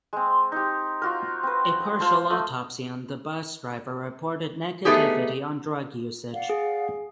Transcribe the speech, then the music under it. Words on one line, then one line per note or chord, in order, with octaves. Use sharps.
A partial autopsy on the bus driver reported negativity on drug usage.
G#3 C4
D#4 G4
F4 F#4 A#4
C4 B4
F4 C5 A5 E6
A3 D#5
A3 B3 D#4 G4 G#4
D5 F5 F#5
G#4